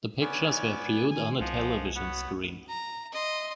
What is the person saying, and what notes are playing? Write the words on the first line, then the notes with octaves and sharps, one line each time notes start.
The pictures were viewed on a television screen.
B3 C#4 D5 G#5
D#3 G#5
C2 F3 D#5 F#5 G#5
B3 F#4 C#5 F#5
A#5
D#5 C6